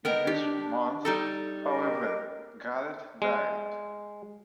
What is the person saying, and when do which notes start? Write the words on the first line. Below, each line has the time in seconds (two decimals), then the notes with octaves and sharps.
In this month, however, Garrett died.
0.05 B3 A#4 D#5 G5
0.27 D4 G4
1.05 G3 D#4 A4
1.64 G4 A#4 D#5
3.22 G#3